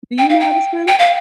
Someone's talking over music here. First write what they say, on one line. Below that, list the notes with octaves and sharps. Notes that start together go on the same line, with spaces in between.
Do you know how to swim?
G5
F5
G5
G5
F5